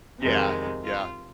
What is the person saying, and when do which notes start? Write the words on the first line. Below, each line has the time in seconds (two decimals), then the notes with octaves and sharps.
Yeah, yeah.
0.20 F2 C3 D#3 G#3
0.83 F4